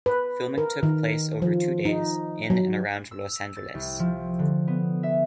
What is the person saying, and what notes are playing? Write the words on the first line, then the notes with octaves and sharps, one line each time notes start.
Filming took place over two days in and around Los Angeles.
B4
A#4
D#3
F3
D#4
F#3
E6
A6
C2
F3
D3
B3
E5